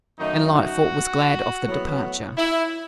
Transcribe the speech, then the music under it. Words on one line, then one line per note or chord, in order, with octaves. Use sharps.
And Lightfoot was glad of the departure.
F#2 D#3 A3 D#4
F#4
A2 F#3 B3
E4